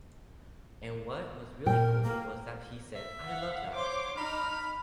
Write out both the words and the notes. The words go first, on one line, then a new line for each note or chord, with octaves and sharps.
And what was really cool was that he said 'I love that!'.
A#2 A#4 G5
A#3
E5
F5 F#5
C5 C#5 C6 D6
D#4 B5 F6